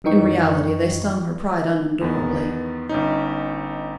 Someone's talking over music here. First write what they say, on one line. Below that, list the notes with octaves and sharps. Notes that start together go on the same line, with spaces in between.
In reality they stung her pride unendurably.
F#2 D#3 E3 D#4 G5 C#6
E2 D#3 B3
G1 C#4 D#4